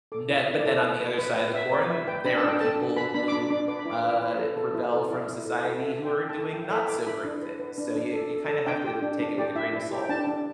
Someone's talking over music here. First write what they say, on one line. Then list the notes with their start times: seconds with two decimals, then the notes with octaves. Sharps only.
That but then on the other side of the corn, there are people who, uh, rebel from society who are doing not so great things. So y you kinda have to take it with a grain of salt.
0.12 A4 D6
0.29 E4
0.35 E5
0.48 E4
0.59 D5
0.65 A4
0.83 B4
1.01 B4
1.18 B4
1.36 B4
1.54 B4 E5
1.72 B4 D5
1.89 B4 E5
2.07 B4 G5
2.25 D4 B5
2.37 A5
2.43 D4 G5
2.59 A4 A5
2.79 D4
2.96 B4 B5
3.14 D4 B5
3.28 D6
3.32 D4 B5
3.50 D4 D6
3.68 B4 D6
3.79 B5
3.86 E4 D6
4.03 B4
4.21 B4
4.39 A4
4.57 A4
4.75 E4
4.93 A4
5.10 E4 D5
5.28 E4
5.46 A4
5.64 A4
5.81 A4 E5
5.99 A4
6.05 G5
6.17 A4
6.29 A5
6.35 A4
6.53 E4 G5
6.65 G5
6.71 A4 E5
6.89 A4 D6
7.07 E4 B5
7.24 D4
7.42 B4
7.60 B4
7.78 D4
7.96 D4
8.13 A4
8.31 A4
8.49 A4
8.66 D4 G5
8.84 G4
9.02 D4
9.20 D4
9.38 G4 D5
9.55 E4 E5
9.73 E4
9.91 G4
10.03 G5
10.09 D4 A5
10.27 D4